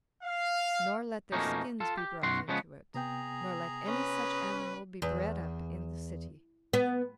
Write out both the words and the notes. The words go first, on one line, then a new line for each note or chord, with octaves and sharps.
Nor let their skins be brought into it; nor let any such animal be bred up in the city.
F5
F2 B2 A3 A#3 C#4 D#4
F4 A4
G4
B1 F#2 F#4 C6
C#3 F3 G#3 B3 C#4
C3 B3 G#4 G5 A#5
C#4 B4
E2
B3